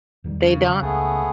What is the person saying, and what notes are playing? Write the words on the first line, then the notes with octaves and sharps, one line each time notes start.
They don't.
E2 D#3 G3
C#3
C#2 A3 B3 G#4